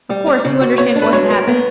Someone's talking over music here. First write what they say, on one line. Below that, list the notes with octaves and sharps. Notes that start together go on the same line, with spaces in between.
Of course, you understand what had happened?
G3
C#4
C#3
F#4
B3 C#5
D4
B4
F#3 C#5
A#4
B3